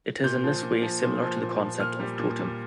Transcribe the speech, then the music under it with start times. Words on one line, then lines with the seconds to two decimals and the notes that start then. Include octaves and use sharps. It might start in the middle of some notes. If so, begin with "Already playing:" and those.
It is in this way similar to the concept of Totem.
0.24 A#2 G6
0.44 F3
0.63 A#2
0.82 F3
1.03 A#2
1.22 F3
1.41 A#2
1.60 F3
1.80 A#2 F6
2.00 G3
2.19 A#2
2.39 G3